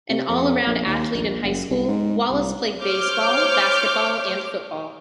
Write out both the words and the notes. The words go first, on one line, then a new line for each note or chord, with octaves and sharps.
An all-around athlete in high school, Wallace played baseball, basketball and football.
C3
F2
A#1
D#2
A#1
F#1
C2
G#2
C2
C5 C#5 D6 F6 G6